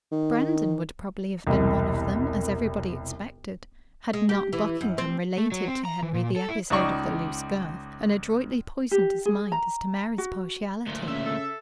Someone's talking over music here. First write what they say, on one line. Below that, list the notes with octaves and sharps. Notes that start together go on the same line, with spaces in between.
Brandon would probably have been one of them, as everybody expected, had not Buckingham related to Henry the episode of the loose girth, and adroitly poisoned his mind as to Mary's partiality.
D#3
E1 C2
G#3
G4
E3
F#2
C4
A3
F#3
C4
A#5
E3
A#2
A4
E4
C#2 D#4 D5 C#6
G4
G#4
A#5
F#4
D2 A#2
C#3 E5
A4